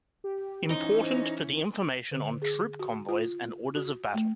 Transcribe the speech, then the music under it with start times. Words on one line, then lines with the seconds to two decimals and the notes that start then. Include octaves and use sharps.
Important for the information on troop convoys and orders of battle.
0.24 G4
0.70 E3 C#4 D#4 C5
2.11 D3
2.42 G#4
2.79 F#4
3.09 F4
3.76 F#4
4.14 A3